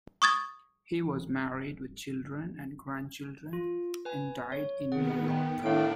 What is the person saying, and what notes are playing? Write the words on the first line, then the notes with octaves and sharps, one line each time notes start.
He was married with children and grandchildren, and died in New York.
C#6 D#6 G#6 A6
F4
B4 G#5
C#5
D#3 B3 G#4 F#5
G5
A2 D#3 D4 F5 D7